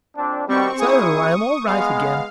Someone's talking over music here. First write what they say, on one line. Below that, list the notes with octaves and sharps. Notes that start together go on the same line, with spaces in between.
So I am all right again.
F2 C4 D4
B2 D#3 G3 C4 C#6
A#2 E4 G#4 C#6 D#6
G#3 B3 F5